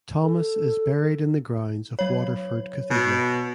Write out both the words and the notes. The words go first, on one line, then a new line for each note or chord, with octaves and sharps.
Thomas is buried in the grounds of Waterford Cathedral.
A4
F#3 C#5
B2